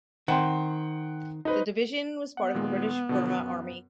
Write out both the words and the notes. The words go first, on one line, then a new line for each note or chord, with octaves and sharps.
The Division was part of the British Burma Army.
D#3 C4 F#5 G5 C6
D#4 B4 C5
B3 F#5
A#2 D#3 G#3
B2 D3 F3
F#2